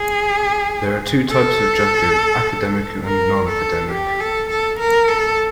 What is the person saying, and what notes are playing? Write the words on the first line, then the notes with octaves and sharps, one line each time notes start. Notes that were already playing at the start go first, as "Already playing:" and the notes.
There are two types of juku, academic and nonacademic.
Already playing: G#4
A4
A#4
A4
G4
A4
A4
A#4
A4